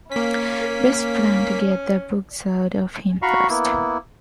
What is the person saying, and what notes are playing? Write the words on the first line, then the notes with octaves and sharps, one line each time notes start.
Best plan to get the books out of him first.
A#3 C#4 B6
F#4 F5 A#5 B5 C#6
A#3 B3 E4